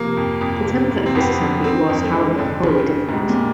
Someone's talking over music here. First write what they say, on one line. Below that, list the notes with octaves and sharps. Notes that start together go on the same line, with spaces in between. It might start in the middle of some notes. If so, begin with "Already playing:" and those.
The temper of this assembly was, however, wholly different.
Already playing: C3 F3 A#3
F2
F2
C3
C3
C4
F2 B3
F3
D3 C4
F2
A3
D3 G#3
F2 D3
C#3 G3
D3
G#2
A2 G3
A#2
D3